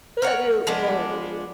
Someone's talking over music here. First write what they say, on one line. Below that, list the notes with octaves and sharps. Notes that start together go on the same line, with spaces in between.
That is funny.
A#4 C#5 F#5
F3 G#3 B3 D4